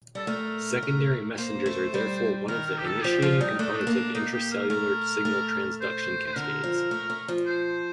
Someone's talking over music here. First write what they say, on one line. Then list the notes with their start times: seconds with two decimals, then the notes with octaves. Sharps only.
Secondary messengers are therefore one of the initiating components of intracellular signal transduction cascades.
0.15 G3 A4
0.27 A3 A#4
0.83 A3
1.38 A#3 C5
1.66 A3
1.94 G3
2.48 D#3 A#4
2.67 A#4
2.78 G4
2.86 A4
3.04 F3 G4
3.22 F3 F4
3.41 G3 D#4
3.59 A3 D4
3.67 D#4
3.75 D4
3.87 A#3
4.15 A#3 D#4
4.33 G4
4.51 A#4
4.70 A3 A#4
5.25 A3
5.81 C5
6.26 C5
6.36 D3 A#4
6.64 F3
6.91 A3
7.10 A3
7.28 F3
7.47 C5